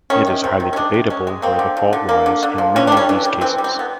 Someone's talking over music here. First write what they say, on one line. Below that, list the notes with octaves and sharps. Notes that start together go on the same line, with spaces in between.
It is highly debatable where the fault lies in many of these cases.
D#3 C#4
C3
C3 C4
D#3
C#4
G#3 D4
C3
G#3 C#4
G#3
A#3 C4
D3
F3
D3
A#3
D3
D3
F3
E3 C#4
D4
G3 C#4
E3
G3
E3 C4
G3
C4
E3 B3